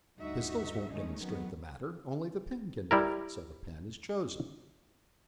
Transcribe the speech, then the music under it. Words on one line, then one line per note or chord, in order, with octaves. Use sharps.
Pistols won't demonstrate the matter; only the pen can do it, so the pen is chosen.
D2 G2 D#4 F#4 E5
D#3 G#3 A3 C#4 D#4
D#3 F#3 B3
G3 E4 A#4